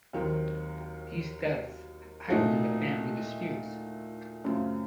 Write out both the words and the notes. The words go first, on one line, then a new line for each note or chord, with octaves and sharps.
These deaths heightened the family disputes.
D#2 D#3 F#3 C4
A#2 A3 D#4 F#4 A4
F#2 C#3 A3 C4 F4